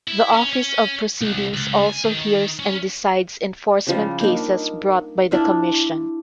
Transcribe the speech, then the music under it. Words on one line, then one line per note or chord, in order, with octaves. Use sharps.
The Office of Proceedings also hears and decides enforcement cases brought by the Commission.
E4
C#4
C#4
C2
C#2
G#5
D#3
C#4
C#3 F3 G3
A#3 D4 D#4
D4 E4 F4